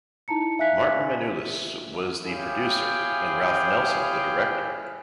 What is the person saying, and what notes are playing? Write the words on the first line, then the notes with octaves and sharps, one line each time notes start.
Martin Manulis was the producer and Ralph Nelson the director.
D#4 E4 A5 A#5 C#7
E5 F5 G#5 F#6 B6
E4 G4 G#4 C#5 F5 G5